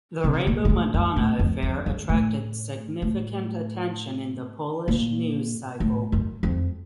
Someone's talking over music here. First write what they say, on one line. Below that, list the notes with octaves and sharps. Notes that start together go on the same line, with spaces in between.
The Rainbow Madonna affair attracted significant attention in the Polish news cycle.
C3
A#2
A#2
A2
F#2
A2
F2
F2
F#2
A2
A2
A#2
A2
F#2
F2